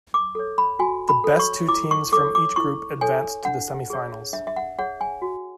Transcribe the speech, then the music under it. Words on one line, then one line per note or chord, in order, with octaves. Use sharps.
The best two teams from each group advanced to the semifinals.
D6
A4 C#5
B5
F#4 G#5
B5
A4 C#5
C#6
E4 D6
C#6
A4 C#5 D6
D6
E4 C#6
A4 C#5 G#5
D4 F#5
G#4 C#5
D4 E5
E5
F#5
G#4 C#5 F#5
G#5
F#4